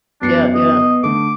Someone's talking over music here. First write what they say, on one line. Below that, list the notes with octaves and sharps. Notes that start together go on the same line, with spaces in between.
Yeah, yeah.
F#2 B3 D4 C7 C#7
D#5
D3 A3 D6